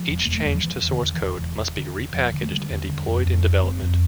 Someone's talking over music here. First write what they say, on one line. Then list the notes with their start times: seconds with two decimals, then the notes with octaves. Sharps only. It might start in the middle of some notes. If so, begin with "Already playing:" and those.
Each change to source code must be repackaged and deployed in development.
Already playing: F3
0.08 E1
0.25 E1 A#3
0.35 A3
0.45 E2 G3
0.55 F3
0.63 E1 E3
0.83 E1
0.89 D3
1.01 E1
1.14 E3
1.21 E1
1.39 E1
1.58 E1
1.76 D3
1.95 E1
2.13 E1 F3
2.32 D3
2.42 A3
2.51 D3 G3
2.70 E2
2.88 D3
3.07 F2
3.26 F2
3.45 F1
3.63 F1 C4
3.82 F2